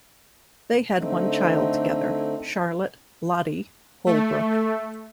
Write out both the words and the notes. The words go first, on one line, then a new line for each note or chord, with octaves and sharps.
They had one child together, Charlotte "Lottie" Holbrook.
D3 A3 C4 D#4
A3